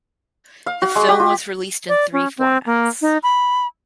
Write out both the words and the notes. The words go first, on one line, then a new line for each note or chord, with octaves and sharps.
The film was released in three formats.
F5
F#4
G#3
G4
F4
D5
C#4
C4
A#3
D#4
B5